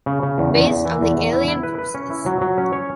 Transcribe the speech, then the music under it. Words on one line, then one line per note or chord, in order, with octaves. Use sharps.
Based on the Alien vs.
C#3
C#3
E2
E2
E2
E3
E2
E2
E4
E4
B4
B4
C#4
E4
F#3
F#3
C#4
C#5